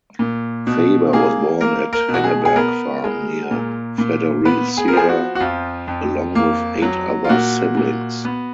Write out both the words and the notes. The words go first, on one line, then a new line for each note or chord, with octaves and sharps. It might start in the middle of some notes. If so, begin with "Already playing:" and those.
Faber was born at Henneberg Farm near Fredericia along with eight other siblings.
A#2
B2
A#3 G#4
A#3 A#4
A#4
B2
F#4
G#4
G#4
B3 A#4
G#3
A#2
A#2
B3 B4
G#4
A#4
F3 G#4
F#4
F#4
F2 F4
F2
A#3
F#3
F4
A#2 F#4
A#2
B3